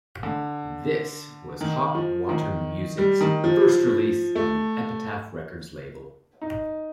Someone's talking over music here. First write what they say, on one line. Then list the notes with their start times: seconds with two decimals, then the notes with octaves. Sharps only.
This was Hot Water Music's first release on the Epitaph Records label.
0.23 D3
1.61 D#3
1.95 F3
2.29 D#3
2.98 G3
3.21 D#3
3.44 F3
4.35 A3
6.42 D#4